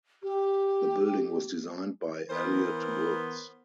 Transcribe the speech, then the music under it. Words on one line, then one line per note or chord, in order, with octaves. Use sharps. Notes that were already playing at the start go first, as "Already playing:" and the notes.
The building was designed by Elliott Woods.
G4
E3 B3 A#4 C5